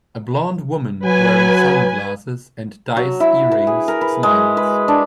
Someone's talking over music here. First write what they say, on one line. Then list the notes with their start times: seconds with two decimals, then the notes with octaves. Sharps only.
A blond woman wearing sunglasses and dice earrings smiles.
1.03 F#3 B4 G#5
2.97 F#3
3.20 E4
3.52 B4
3.67 G#4
3.88 A#4
4.01 B4
4.23 G#3
4.57 B4
4.88 D4